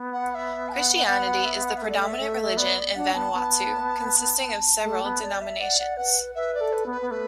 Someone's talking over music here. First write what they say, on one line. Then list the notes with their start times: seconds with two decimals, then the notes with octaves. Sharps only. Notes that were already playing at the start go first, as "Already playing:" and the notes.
Christianity is the predominant religion in Vanuatu, consisting of several denominations.
Already playing: B3
0.13 F#5
0.30 F#5
0.35 E5
0.68 A5
0.73 F#5
1.07 B3 F#5
1.26 F#5
1.45 E5
1.63 F#5
1.77 E5
1.82 A3
1.89 D5
2.02 E5
2.19 A3
2.57 B3 D5
2.76 D5
2.95 D4 F#5
3.14 B3 A5
3.33 B3
4.08 A5
4.84 A3
5.03 B3
5.22 D5
5.41 E5
5.60 D5 F#5
5.79 F#5
5.97 B4 F#5
6.35 B4 E5
6.54 D5
6.61 A4
6.73 B4
6.86 B3
6.91 B4
7.02 B3
7.11 A3 B4